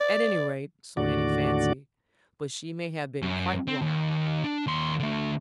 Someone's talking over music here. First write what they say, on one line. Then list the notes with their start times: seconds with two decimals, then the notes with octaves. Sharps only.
At any rate so Annie fancied, but she may have been quite wrong.
0.01 D5
0.97 D#2 A2 D3 F#4 D5
3.22 F#2
3.68 C4
3.81 D#2
4.44 D4
4.67 D#2 C6
5.00 D3 A3